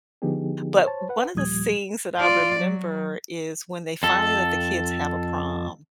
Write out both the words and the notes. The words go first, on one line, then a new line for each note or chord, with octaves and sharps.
But one of the things that I remember is when they finally let the kids have a prom.
D3 F3 B3 D#4 G4 G#4
C5 C#5 A5
B4 F#5
D#2 A#2 F3 G3 D#6 G#6
F4 D5
F#3
F2 A4